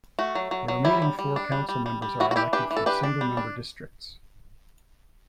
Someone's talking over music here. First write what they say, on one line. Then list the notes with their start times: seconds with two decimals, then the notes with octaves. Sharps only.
The remaining four council members are elected from single-member districts.
0.19 A3 F#4
0.35 F#3
0.51 F#3
0.68 F#3
0.85 G3 E4
1.02 G3
1.19 G3
1.36 D4
1.52 G3
1.69 G3
1.86 G3
2.02 G3
2.20 E3 F#4
2.31 F#4
2.36 E3 E4 G4
2.53 D4 G4 B4
2.71 E3
2.77 A4
2.86 D4 G4 B4
3.03 D4
3.21 G3
3.37 D4